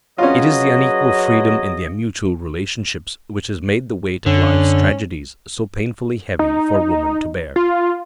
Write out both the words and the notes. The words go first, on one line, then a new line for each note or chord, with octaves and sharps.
It is the unequal freedom in their mutual relationships which has made the weight of life's tragedies so painfully heavy for woman to bear.
F#3 C#4 F4 G#4 B4 D#5
F#2 D3 C#4
D#4
F4